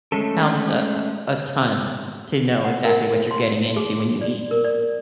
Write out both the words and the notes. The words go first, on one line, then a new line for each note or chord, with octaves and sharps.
helps a a a ton to know exactly what you're getting into when you eat.
G#3 A3 C#4 A4
F#5
A#4
C6
G#4
D5
A#4
D5